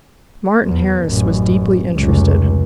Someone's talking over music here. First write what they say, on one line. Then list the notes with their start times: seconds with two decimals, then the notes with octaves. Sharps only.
Martin Harris was deeply interested.
0.65 E2
1.05 A1 F#2
1.96 F1 C#2